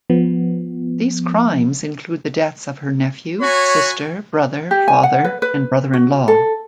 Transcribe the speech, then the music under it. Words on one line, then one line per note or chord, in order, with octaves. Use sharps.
These crimes include the deaths of her nephew, sister, brother, father and brother-in-law.
F3 B3
F#4 C#5 G#5 B5
G4
G#5
F#5
B4
B4
F#4
A4